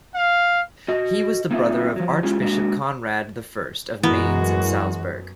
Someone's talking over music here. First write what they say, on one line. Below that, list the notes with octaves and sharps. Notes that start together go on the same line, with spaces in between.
He was the brother of Archbishop Conrad I of Mainz and Salzburg.
F5
F#4 D#5
A#3 C4 D#4 F4 D#5 E5
F3 F#3
G#3 C#4 E4 F4 G4
G#3 A#3 D4 F#4
F#2 E3 G#3 B3 F#4 A#4